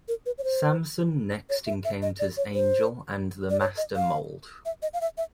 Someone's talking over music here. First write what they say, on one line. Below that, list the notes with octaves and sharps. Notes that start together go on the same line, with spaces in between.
Samson next encounters Angel and the Master Mold.
A#4
B4
C#5
C5
C#5
E5
E5
D#5
D5
C#5
C5
D5
C#5
D#5
F5
E5
D#5
F5
E5
E5